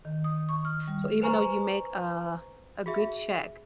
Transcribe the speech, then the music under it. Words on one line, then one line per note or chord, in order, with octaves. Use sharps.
So, even though you make a a good check,
D#3
D#6
C#6
F6
G3
B4 C5 G#5 A#5 C#6
F#4 G#4 E5